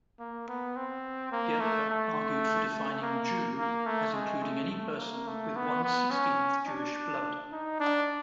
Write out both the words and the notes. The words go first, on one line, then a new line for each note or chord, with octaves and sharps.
Gercke argued for defining "Jew" as including any person with one-sixteenth Jewish blood.
A#3
B3
C4
A#3
A3
A3
A3
A#3
A#3
A3
G#3
A3
A3
A#3
A3
B3
B3
C#4
D4
D#4
D4